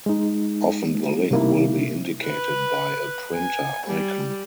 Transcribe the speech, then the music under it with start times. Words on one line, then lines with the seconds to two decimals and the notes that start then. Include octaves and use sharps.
Often the link will be indicated by a printer icon.
0.06 G#3 D#4
1.31 C3 G3 A#3 D#4 E4
2.25 B4
3.34 G#5
3.87 G3